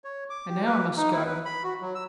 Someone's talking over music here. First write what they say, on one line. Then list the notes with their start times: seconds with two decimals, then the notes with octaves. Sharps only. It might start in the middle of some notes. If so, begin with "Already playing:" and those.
And now I must go.
0.04 C#5
0.30 D6
0.49 G4
0.65 B4
0.97 D#4
1.12 E4
1.26 B4
1.45 B5
1.64 F#4
1.81 F#3
1.95 E6